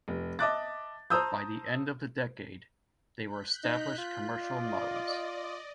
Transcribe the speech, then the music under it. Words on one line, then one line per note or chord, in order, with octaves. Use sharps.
By the end of the decade, they were established commercial modes.
F1
D#5 E5 A5 D6 F#6 A6
C5 A5 A#5 D#6 E6 G6
F#6 G6 B6
D#4
F4
D5 D#5